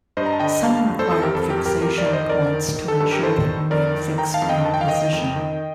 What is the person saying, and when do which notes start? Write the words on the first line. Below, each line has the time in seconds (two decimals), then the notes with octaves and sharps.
Some require fixation points to ensure they remain fixed in position.
0.17 G2 C5 D#5
0.26 A#5
0.33 A5
0.40 D3 D#5 G5
0.63 G2 F5 A5
0.87 F2
0.99 A4 C5
1.10 F2 A4 C5
1.22 G4 A#4
1.35 F2 A4
1.50 G4 A#4
1.58 F2
1.66 G4 A#4
1.82 F2 G4 A#4
1.98 A#4 D5
2.06 D#3
2.13 C5 D#5
2.29 F2 A#4 D5
2.53 D#3
2.76 D#3
2.88 A4
3.00 G2 A4
3.11 G4 A#4
3.23 D#3 A4 C5
3.47 D#3
3.71 F2 A#4 D5
3.95 D#3
4.18 D#3 G5 A#5
4.34 F5 A5
4.42 F2
4.49 D#5 G5
4.65 D#3 A5
4.74 G5
4.81 F5
4.88 D#3 D#5 G5
5.13 F2
5.36 D#3